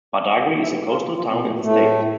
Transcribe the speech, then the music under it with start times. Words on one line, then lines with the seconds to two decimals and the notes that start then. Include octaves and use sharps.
Badagry is a coastal town in the state.
0.59 E3 E4
0.88 F3 F4
1.17 F3 F4
1.27 C4
1.32 B2 B3
1.46 A2 A3
1.61 A2 A3